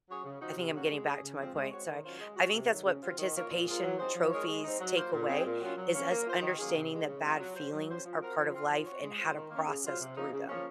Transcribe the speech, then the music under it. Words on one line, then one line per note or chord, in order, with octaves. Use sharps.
I think I'm getting back to my point, sorry. I think that's what participation trophies take away, is us understanding that bad feelings are part of life and how to process through them.
F#3 C#4 G#4 C#5
C#3
F3 C4 D#4 F#4
C3
F#3 A#3 C#4 F#4
G#3
C#4 G#4
C#3
F3 G#3 C4 F4
G#3
C4 F#4 C#5
D#3
F#3 C#4 F4 C5
G#3
C#4 F#4
C3
D#3 F#3
C#3
F#3 C4 F4
D#3
A#3 F4 A#4 C#5
A#2
G#3 C4 F4 A#4
F#3
C4 D#4 G#4 C5
F3
G#3 D#4 A#4 C#5
G#3
C4 D#4
F#3
A#3 F4 C5
A#2
G#3 C4
A#2
F#3 C#4 F4
F#3
A#3 C#4
A#3
F4 C5
D#3
F#3 A#3 C#4 G#4
C3
D#3 G#3
C#3
F3 G#3 C4 F4
F#3
C#4 F#4 C5
F#3
C#4 F#4 C5
F3
C4 F#4 A#4
F3
C4 F4
F3
C4 F#4 C#5
G#3
C4 F4 C5
D#3
A#3 C#4
C#3
F#3 C4 F4 C5
C3
F3 A#3 D#4
C#3
F3 A#3 C#4